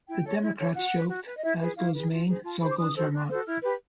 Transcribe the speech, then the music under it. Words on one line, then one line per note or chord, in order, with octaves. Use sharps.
The Democrats joked, As goes Maine, so goes Vermont.
E4 G5
A4 C#5
E4
A4 C#5
F#4 F#5
B4
F#4
B4
D#5
E4 E5
G#4 B4
E4 F5
G#4 B4
F4
G#4 C5
F4 A5
G#4 C5 B5
D6
D4 D#6
F#4 A4 C5
D4
F#4 A4 C5
E4 F6
G4 B4